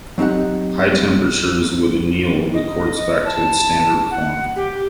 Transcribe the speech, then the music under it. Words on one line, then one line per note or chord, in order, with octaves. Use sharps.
High temperatures would anneal the quartz back to its standard form.
F#3 C4 D#4 G4 F#5
D#5
A5
F#5
G4